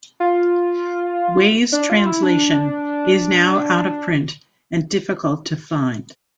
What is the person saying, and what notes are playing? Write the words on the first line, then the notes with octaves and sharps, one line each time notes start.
Wei's translation is now out of print and difficult to find.
F4
D4
F4
E4
D4